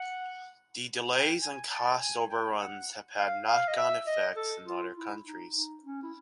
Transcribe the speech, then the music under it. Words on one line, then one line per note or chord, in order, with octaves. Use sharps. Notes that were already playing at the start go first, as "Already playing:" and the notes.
The delays and cost overruns have had knock-on effects in other countries.
Already playing: F#5
G5
G#5
A5
G5
G#5
G5
F#5
F5
F5
D#5
E5
D#5
A4
F4
E4
D#4
D#4
C#4
E4